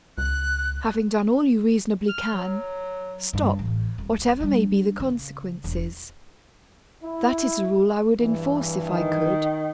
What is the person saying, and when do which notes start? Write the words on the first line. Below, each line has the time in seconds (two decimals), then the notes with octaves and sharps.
Having done all you reasonably can, stop, whatever may be the consequences. That is a rule I would enforce if I could.
0.18 C#2 F#6
2.09 F6
2.33 F#3
3.33 G2
3.59 A1
3.98 D#1
4.40 G3 D4
5.00 C#3
5.64 E1
7.03 E4
8.20 E2 G2 E3
8.86 D#3